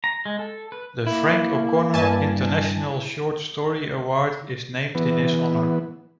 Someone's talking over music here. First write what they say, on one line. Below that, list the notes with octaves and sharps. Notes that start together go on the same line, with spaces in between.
The Frank O'Connor International Short Story Award is named in his honour.
A#5
G#3
A4
B4
A#3 E4
G2 B4 G#5 A5
E3 B3